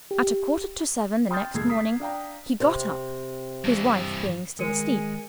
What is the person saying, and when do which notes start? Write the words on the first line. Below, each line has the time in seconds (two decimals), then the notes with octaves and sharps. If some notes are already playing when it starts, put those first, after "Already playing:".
At a quarter to seven the next morning, he got up; his wife being still asleep.
0.11 G4
1.30 G5 C6 D#6 F6 G6 A6
1.54 C#2 A#2 A3 A4 G#6 C7
1.69 A#5 D#6 B6 C7
2.00 D4 F5 G5 A#5
2.60 C3
3.64 G2 E3
4.59 D#3 G#3 G#4 A#4 C#7 D#7